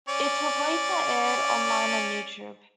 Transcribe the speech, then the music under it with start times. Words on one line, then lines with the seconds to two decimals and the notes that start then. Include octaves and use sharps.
It was later aired online on YouTube.
0.08 C#4 D5